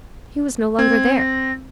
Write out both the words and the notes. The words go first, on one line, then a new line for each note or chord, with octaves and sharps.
He was no longer there.
C4 G#6
A#6